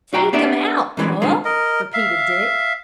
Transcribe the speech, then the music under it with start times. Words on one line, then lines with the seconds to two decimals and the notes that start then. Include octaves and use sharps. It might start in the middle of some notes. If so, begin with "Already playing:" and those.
"Seek him out, pup!" repeated Dick.
0.13 B1 F#4 G5 A#5
0.33 A#3 B3 D4 G4 D5 E5
0.97 F#2 A#2 E3 G#3
1.22 G2 A#2 D3 F3 G#3
1.45 A#4 D#5
1.94 E5 F5